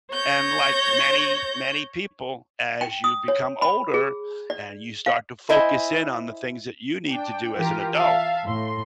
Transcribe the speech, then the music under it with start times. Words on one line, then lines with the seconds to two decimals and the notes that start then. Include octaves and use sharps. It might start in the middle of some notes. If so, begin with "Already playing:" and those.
and, like, many, many people, as you become older and you start to focus in on the things that you need to do as an adult,
0.12 C#5 G6 A#6
2.81 G5
3.04 D#6
3.28 C#5
3.62 B5
3.94 G#4
4.50 D5
5.06 F5
5.49 E4 C5 D#5 E5 G#5
7.10 D4 G5
7.55 E3 F4 G4 A#4
7.95 E5 F5 A5
8.44 A2 C6